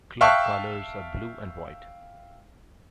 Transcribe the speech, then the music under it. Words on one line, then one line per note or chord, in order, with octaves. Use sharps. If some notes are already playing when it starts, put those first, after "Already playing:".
Club colours are blue and white.
E5 F5 G5 A5 C#6 F#6